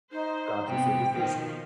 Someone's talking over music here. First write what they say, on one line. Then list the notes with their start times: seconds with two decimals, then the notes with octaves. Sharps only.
Gotcha. So is this
0.12 D#4 C5
0.67 C3 B3 G5
1.12 B2 D#3 F3